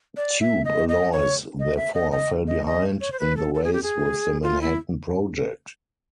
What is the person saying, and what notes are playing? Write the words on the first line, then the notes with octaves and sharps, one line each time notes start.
Tube Alloys therefore fell behind in the race with the Manhattan Project.
D5
E5
D#5
D#5
C#5
D#5
E5
D#5
D#5
D#5
D#5
C#5
C5
B4
A4
A4
G#4
G4
G#4
F4
E4